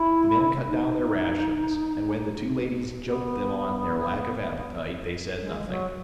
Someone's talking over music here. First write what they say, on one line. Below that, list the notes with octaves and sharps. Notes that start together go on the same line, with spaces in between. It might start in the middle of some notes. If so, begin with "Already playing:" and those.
The men cut down their rations, and when the two ladies joked them on their lack of appetite, they said nothing.
Already playing: E4
D#4
B3
G#3
F#3